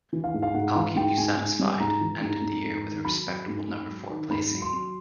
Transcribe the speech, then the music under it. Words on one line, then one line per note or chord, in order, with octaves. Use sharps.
"I'll Keep You Satisfied" ended the year with a respectable number four placing.
E3
F5
G#2
F5
G#2 F#5
E3 F5
G#2 G5
G#2 G#5
G#2
G3
G#2 A#5
E3
G#2
G#2
G#2
D#3
F#3 B5
F#3
G#2
G#2
F#3
D#3
G#2 B5
F#3
C6
F#3